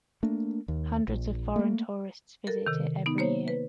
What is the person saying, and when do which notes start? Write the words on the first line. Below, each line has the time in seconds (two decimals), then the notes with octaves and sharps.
Hundreds of foreign tourists visit it every year.
0.23 A3 A#3 D4
0.68 D#2
1.08 A#1
1.56 A3 A#3
2.47 A4 A#4
2.67 C3 D#3
3.06 B3 D#4
3.18 A#3 C5 C#5
3.48 B4